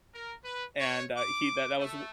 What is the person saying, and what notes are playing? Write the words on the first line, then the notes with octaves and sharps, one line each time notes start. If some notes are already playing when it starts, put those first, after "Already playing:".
and, uh, he that that was wo
A#4
B4
C#5
D6
A3